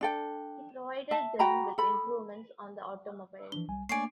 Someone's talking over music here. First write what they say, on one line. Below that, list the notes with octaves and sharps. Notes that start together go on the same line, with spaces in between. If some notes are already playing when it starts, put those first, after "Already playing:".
He provided them with improvements on the automobiles.
D4 A4 G5
E5 A5
F#4 G5 A#5 B5
A4 B5
E3 F3 D4 G7
B1 G3 G#5
A3 A#3 D4 C#5 D5 G#5 C7 D7